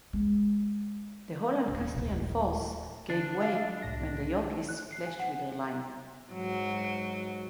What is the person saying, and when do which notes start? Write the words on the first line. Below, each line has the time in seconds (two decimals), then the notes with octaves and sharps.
The whole Lancastrian force gave way when the Yorkists clashed with their line.
0.13 G#3
1.68 D#1
1.95 D#1 A#1
3.10 D3 D4
3.40 E5 F5 C7
3.82 C2 A2 A#6
4.69 F#6
4.92 C7
5.06 G#5
5.20 F#5
6.31 G#2 F#3